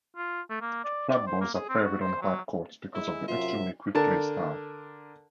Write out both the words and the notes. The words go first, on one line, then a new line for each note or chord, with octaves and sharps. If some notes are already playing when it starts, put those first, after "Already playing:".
Flat balls are favored on hard courts because of the extremely quick play style.
F4
A3
A#3
D5
D5
C5
A#3
G#4
C4
F#4
C5
F#3
G#3 E4
F#2 C3 F4 E5
D3 A#4 A5